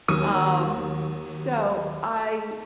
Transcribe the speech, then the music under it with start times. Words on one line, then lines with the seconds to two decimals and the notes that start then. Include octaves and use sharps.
um, so I
0.08 D#2 F#3 D#6 D#7